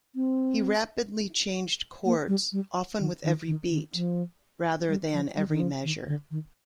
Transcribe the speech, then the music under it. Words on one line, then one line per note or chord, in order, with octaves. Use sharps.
He rapidly changed chords, often with every beat, rather than every measure.
C4
A#3
G3
G3
D#3
D#3
D#3
D#3
F3
G3
F3
G3
D#3
F3
D#3
D3
D#3